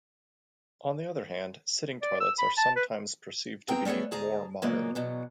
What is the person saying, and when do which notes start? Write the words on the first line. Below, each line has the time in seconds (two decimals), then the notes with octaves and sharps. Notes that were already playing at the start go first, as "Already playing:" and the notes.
On the other hand, sitting toilets are sometimes perceived to be "more modern".
2.02 D5
2.20 E6
2.39 B5
2.58 A5
2.76 B4
3.68 B3 C4 G#4 A#4 G5 A#5
3.85 G3 A3 B3 G#4 C#5
4.11 D2 G#4 A5 A#5
4.62 A#2 C#3 F#3 G#3 A#3 B3
4.95 E2 B2 F#3